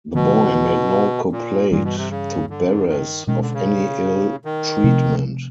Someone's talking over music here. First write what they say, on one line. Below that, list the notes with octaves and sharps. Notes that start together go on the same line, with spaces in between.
The boy made no complaint to Barras of any ill treatment.
B2 D3 F3 A3
A#2
G2 A#2 E3 G3
B2
C3
C#3
D3
D#3
B2 D#3 G#3 C#4
D3
C#3
D#3
C3 F3 A3 C4